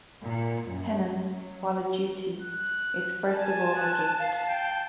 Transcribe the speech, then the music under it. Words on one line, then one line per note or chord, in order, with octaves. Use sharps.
Penance, while a duty, is first of all a gift.
A#2
F#2
F#3
F#6
G#5 A5
F#6
F5
G5